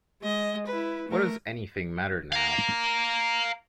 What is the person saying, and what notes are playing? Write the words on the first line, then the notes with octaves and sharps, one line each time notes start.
What does anything matter now?
G#3 D#5
E4 B4
A3 A#4
F5 A#5